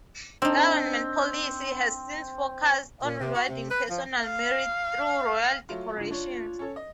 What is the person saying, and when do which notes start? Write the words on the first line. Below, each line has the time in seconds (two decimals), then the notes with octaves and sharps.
Government policy has since focussed on rewarding personal merit through royal decorations.
0.42 C4 D4 D#4
3.03 A#2
3.20 C3
3.34 F#4
3.48 C3
3.71 B4
3.89 F3
4.24 F5
5.69 F#3 A3 F4
5.97 G#2 D3 F4
6.11 D4 C#5
6.59 C#4 A4 C#5
6.76 D#5